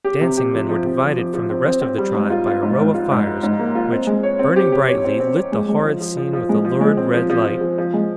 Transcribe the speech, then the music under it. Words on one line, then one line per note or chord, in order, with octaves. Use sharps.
The dancing men were divided from the rest of the tribe by a row of fires, which, burning brightly, lit the horrid scene with a lurid red light.
G4
C3
G4
F3
F3
C3
F3
F3
F3
C4
C4
C4
G3
G#2
F4
F4
G#2
G#2
F4
G#2
F4
G#2
A#3
F4
C4
G#3
C#5
C4
G4
G4
C#5
C4
C4
C4
G#3
G#3
F3
F3
F3
F3
G#3
F3
G#3
C4
F3
F3
F3
F3
F3
G#3